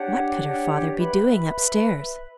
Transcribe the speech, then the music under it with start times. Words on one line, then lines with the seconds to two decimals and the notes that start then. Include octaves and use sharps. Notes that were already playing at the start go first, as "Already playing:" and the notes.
What could her father be doing up-stairs?
Already playing: D4 G4 C#5 F#5
0.41 D4 G4 C#5 F#5
0.95 B4 E5 B5
1.49 B4 E5 B5